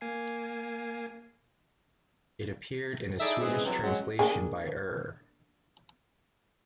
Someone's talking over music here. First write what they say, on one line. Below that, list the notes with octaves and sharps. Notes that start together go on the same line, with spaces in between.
It appeared in a Swedish translation by Er.
A#3 G#5 C7
D#4 E4 G#4 A4 D5 E5
C#3 E3 G#3 B3 C4 G#4
C3 E3 F#3
F#3 G#3 C#4
A#3 D4 G#4